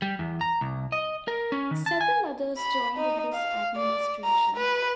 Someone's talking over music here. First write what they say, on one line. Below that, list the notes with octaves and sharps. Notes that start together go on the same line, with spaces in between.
Several others joined in this administration.
G3
E2
A#5
C2
D#5
A#4
C#4
D#3
A5
G#5
B5
D#4
F5
D5
A#5
B4